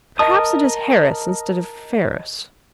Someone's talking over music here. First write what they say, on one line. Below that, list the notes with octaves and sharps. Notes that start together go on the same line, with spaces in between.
"Perhaps it is Harris instead of Ferris."
A#4 D#5 A5 D#6